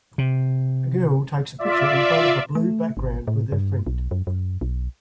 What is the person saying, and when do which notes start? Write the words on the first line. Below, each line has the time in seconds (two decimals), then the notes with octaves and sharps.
A girl takes a picture in front of a blue background with her friend.
0.18 C3
1.59 F4 D5 E5
2.55 A3
2.97 G#1
3.28 A2
3.52 G2
3.87 B1
4.11 F#2
4.27 F#2
4.61 B1